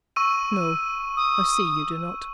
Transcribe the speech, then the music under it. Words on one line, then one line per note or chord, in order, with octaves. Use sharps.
'No, I see you do not.
C#6 E6 D#7
D#6